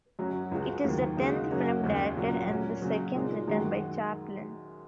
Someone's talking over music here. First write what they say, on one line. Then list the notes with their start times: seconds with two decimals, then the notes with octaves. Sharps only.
It is the tenth film directed and the second written by Chaplin.
0.19 F#2 F#3 C#4 F#4
0.52 C#2 C#3 G#3 F#4
0.84 D#2 D#3 F#3 A#3
1.17 C#3 G#3 D#4 F#4
1.50 F#2 F#3 A#3 C#4 F#4
1.84 D#2 C#3 G#3 C#4
2.16 A#2 F#3 C#4 F#4
2.49 A#2 F#3 C#4
2.82 C#3 F#3 C#4 F#4
3.15 A#2 G#3 D#4
3.48 F#2 D#3 G#3 F#4